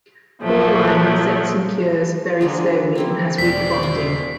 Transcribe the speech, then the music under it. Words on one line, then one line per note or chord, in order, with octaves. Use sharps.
Poor lime sets and cures very slowly and has weak bonding.
A#2 F3 F#3 A3
D3 F3 G#3 A#3
F3 A#3 C4 E4
E1 C5 D5 B6
F#4 D#5 E5